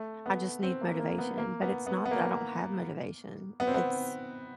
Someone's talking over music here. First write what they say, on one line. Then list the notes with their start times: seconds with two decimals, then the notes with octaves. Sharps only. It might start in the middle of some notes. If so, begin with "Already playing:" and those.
I just need motivation, but it's not that I don't have motivation, it's
Already playing: A3
0.26 B3
0.63 C4
0.81 A#3
0.99 A#3
1.19 B3
1.38 A#3
1.62 B3
1.87 B3
2.06 B3
2.11 A#3
3.60 B3
3.67 C4
3.74 B3